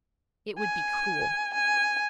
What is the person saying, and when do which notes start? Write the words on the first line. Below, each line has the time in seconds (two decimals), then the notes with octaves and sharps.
It would be cruel.'
0.59 G#5
1.53 G#5